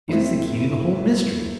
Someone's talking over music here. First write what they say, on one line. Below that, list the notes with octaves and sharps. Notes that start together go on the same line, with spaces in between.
It is the key to the whole mystery.
F#1 C4 E4